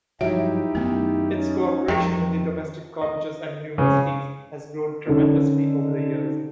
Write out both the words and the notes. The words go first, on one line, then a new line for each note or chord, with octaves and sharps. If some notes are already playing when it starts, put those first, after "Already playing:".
Its cooperation with the domestic colleges and universities has grown tremendously over the years.
G2 F3 F#3 D#4 E4 G4 E5
F#2 D#3 A3 B3
C#4 D#4
F2 C3 D#3 F3 A#4
D#5
C#3
D3 D#3 C#4 D#4